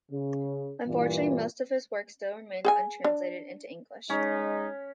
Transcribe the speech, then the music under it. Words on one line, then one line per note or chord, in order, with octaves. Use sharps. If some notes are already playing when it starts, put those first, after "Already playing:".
Unfortunately most of his work still remains untranslated into English.
C#3
G2 A#2 E3
G#4 G5 G#5
D4
G#3 C#4 D#4